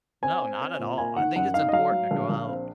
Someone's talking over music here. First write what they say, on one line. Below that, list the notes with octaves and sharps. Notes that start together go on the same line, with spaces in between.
No, not at all, I think it's important to go out
C4 G#5
C4
C4
A#2
A#3 G#5
D#3 F#5
F#2 F#5
D#4 F5
D#5
F#3 F5
F#3
A#1
A#1
C4